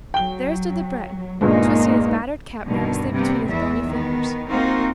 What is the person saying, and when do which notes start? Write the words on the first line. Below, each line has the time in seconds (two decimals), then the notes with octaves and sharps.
There stood the Breton twisting his battered cap nervously between his bony fingers.
0.14 F#3 G5 G7
1.41 G1 G2 A#2 G#3 A#3 D#4
2.65 G2 B2 D3 D#3
3.12 C3 G3 A#3 B3
3.47 E2 E3 B3 E5
3.84 D#3 B3
4.48 A#3 C4 D#4 F4 F#4 C5